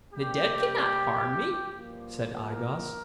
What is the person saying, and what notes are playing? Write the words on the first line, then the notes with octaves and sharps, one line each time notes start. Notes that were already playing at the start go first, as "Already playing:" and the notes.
"The dead cannot harm me," said I-Gos.
C3 G3 A#3 G4
G2 F3 A#3
A#4